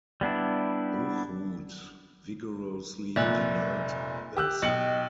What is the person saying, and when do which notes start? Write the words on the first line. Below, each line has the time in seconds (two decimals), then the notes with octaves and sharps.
Hochhuth vigorously denied this.
0.21 G3 B3 D4 E4
3.16 F1 A#2 D5 E5 F#6
4.37 G4 E6 F#6
4.62 B1 D#5 G5 C#7 F#7